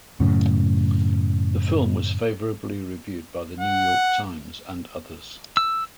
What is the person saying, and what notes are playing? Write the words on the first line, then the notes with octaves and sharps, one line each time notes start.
The film was favorably reviewed by "The New York Times" and others.
F#2 A2 C#3
F#5
E6